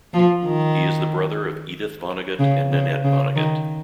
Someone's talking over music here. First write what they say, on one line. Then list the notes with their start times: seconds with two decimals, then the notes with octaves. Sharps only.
He is the brother of Edith Vonnegut and Nanette Vonnegut.
0.13 F3
0.45 D#3
2.39 C#3
2.72 C#3
3.04 C#3
3.36 D#3